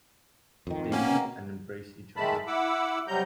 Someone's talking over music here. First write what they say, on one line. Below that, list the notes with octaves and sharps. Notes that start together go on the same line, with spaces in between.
They meet and embrace each other.
F2 D#3
C4 A#4
A#3 C4 C#4 F#4 A#5
B2
D#3 G#3 A3 A5 B5
E4 F#5 D6 E6
C3 F#3 G3 A#5 G6